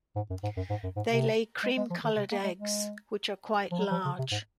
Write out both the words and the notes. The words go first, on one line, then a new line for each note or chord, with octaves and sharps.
They lay cream-colored eggs which are quite large.
G#2
F#2
G#2
F#2
G#2
F#2
G#2
C3
G#3
G#3
F3
D#3
C3
A#3
G#3
G#3
F3
F#3
F3
C#3
C3
G#2